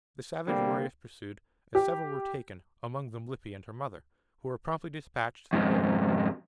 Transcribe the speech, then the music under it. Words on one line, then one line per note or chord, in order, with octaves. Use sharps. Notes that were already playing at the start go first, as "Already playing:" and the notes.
The savage warriors pursued, and several were taken, among them Lippy and her mother, who were promptly despatched to the rear.
D3 G3 A#3 C4
G4
F2 G#2